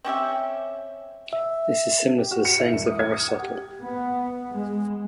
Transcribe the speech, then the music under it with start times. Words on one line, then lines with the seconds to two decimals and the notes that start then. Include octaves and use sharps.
This is similar to the sayings of Aristotle.
0.05 C4 C#4 G4 E5
1.33 E5
2.18 G4
2.31 F#4
2.45 C#7
2.60 E4
2.73 E1
2.86 D#6
2.99 G#6
3.12 D#6
3.28 F#5
3.42 G4
3.81 B3
4.52 G#3